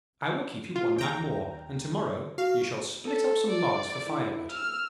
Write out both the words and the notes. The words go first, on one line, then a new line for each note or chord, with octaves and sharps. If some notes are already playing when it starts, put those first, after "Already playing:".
I will keep you one night more, and to-morrow you shall split up some logs for firewood.'
F4
D#2 G5 A#5
F#4 F5
A4
D5
E4
E6 F6